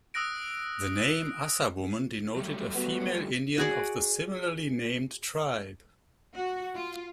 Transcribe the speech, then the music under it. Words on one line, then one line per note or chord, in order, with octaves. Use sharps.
The name "Assawoman" denoted a female Indian of the similarly-named tribe.
D#6 E6 F#6 A#6 D7
F#3 G3 A3
B3 F#4
F#4 G#4 D5
F#4
F4